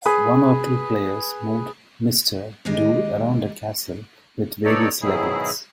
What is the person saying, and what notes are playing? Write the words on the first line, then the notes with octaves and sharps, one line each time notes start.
One or two players moved Mr. Do around a castle with various levels.
G#4 B4
D2 D#3 G#3 G4 D#5 G#5
F#3 B3 D#4 A4 C#5 D5
G#2 B2 D#3 F#3 E4 G#4